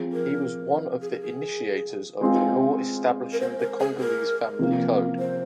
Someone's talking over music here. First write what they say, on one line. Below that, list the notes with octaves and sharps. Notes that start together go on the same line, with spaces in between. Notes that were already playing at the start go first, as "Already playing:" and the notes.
He was one of the initiators of the law establishing the Congolese Family Code.
Already playing: F3 C4 G#4
A#4
G#4
A#4
G#4
G#3 C4 F4
A#4
C5
A#4
G#4
A#4
C3 F3 A#3
C5